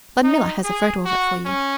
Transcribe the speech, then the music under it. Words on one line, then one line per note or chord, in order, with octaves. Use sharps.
Ludmilla has a photo of it for you.'
D#4
G#4
F#4
C#4